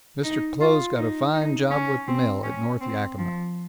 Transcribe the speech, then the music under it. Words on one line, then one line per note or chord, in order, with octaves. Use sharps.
Mr. Kloh's got a fine job with the mill, at North Yakima.
D#4
F4
D#4
D#4
C#4
C4
C#4
C4
F3